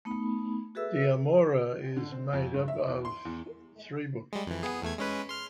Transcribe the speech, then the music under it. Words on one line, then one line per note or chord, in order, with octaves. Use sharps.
"De Amore" is made up of three books.
A3 B3 D#4 B5
F#4 G#4 A4 B4 E5 E6
D3
C4
F2
G2
E5
E2
C6
E2
G3 G#3
F2 E3
B3 G#4
E2 A3 G#6
G#3 C#4 B4
C6 F6